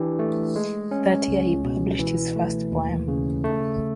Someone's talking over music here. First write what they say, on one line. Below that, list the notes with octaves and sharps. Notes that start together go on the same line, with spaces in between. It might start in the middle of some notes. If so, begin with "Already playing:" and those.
That year he published his first poem.
Already playing: E3 D4 G4
A3
G#3
C#4
C#2
B2
E3
A3
D#2
C#3
A3